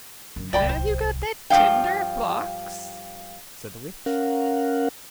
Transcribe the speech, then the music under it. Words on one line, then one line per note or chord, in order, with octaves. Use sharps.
"Have you got the tinder-box?" said the witch.
F#2 D3
D1 C2 D5 G5 B5
C5
G2 F3 G#3 F5 G5
C#4 A#4 F5 F#5